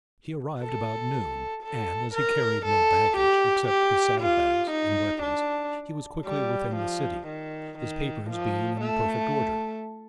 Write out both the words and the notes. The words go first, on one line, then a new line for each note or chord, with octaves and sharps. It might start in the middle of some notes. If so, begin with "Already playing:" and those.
He arrived about noon, and, as he carried no baggage except his saddle bags and weapons, he was quickly within the city, his papers being in perfect order.
A4
A4
A#4
A4
G4
G4
F4
D#4
D4
G3
F3
D#3
D#3
F3
A3